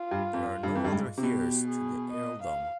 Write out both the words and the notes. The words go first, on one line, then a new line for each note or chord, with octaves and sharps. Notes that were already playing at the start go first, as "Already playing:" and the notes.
There are no other heirs to the earldom.
Already playing: F4
G2
F2
G2
F2
G2
G#2
C3
B2 G4
G#4
D#5
F5